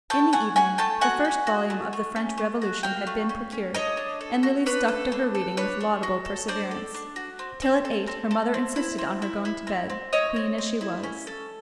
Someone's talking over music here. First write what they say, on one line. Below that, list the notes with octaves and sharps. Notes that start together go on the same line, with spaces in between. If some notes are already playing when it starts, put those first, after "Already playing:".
In the evening the first volume of the French Revolution had been procured, and Lily stuck to her reading with laudable perseverance; till at eight her mother insisted on her going to bed, queen as she was.
A3 G5 A5
A3 F#5 G#5
C#4 F#5 G#5
A3 G5 A5
F#4 F#5 G#5
C#4
F#4
A3
A3
C#4
A3
F#4
F#4 F5 G5
A3
C#4
C#4
D4 C#5 D#5
D4
A4
F#4
D4 B4 C#5
A4
D4
A4
D4 B4 C#5
D4
F#4
A4
D4 C5 D5
A4
D4
F#4
C4
C4
A4
C4
A4
C4
E4
C4
E4
E4
C4
C4
E4 C#5 D#5
C4
C4
E4
C#4
A4